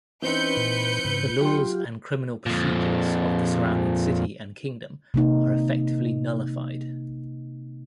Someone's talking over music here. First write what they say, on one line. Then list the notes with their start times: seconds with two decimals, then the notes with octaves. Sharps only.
The laws and criminal procedures of the surrounding city and kingdom are effectively nullified.
0.22 E3 C4 C#4 D#4 B4 G6 C#7
0.57 A#2
1.05 G#2 C#3
1.41 F#3 F4 G4 G5 C6
2.46 F2 A#2
5.14 C3 A#3 D#4